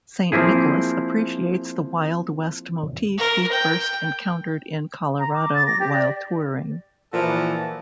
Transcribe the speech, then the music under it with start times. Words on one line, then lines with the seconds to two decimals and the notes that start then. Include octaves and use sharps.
Saint Nicholas appreciates the wild west motif he first encountered in Colorado while touring.
0.32 F3 A#3 C4 E4 G#4
3.18 A#4
3.52 G5
5.19 A#5
5.33 D6
5.54 A6
5.66 A#6
5.79 G4
5.92 D5
7.13 A#2 E3 F3 F#4 A4